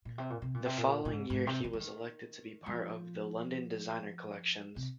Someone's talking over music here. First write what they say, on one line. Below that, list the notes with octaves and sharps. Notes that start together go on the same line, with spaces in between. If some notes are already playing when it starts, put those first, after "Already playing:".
The following year he was elected to be part of the London Designer collections.
A#2
C3
A#2
C3
A#2
C3
A#2
A#2
G#2
G#2
C3
D#3
F3
D#3
G3
F3
C3